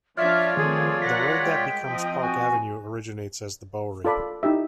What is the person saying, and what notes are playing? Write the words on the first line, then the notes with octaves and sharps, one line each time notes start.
The road that becomes Park Avenue originates as the Bowery.
F3 D4 F4 C#5 D5 E5 F5 F6
D#3 F3 A3 C4 G#4
A#4 F#5 A#6 B6
G#3 G5
F3 C4 D#5
F#4 G#5
F4 A4 D5 B5
D#4 E4 G4 E5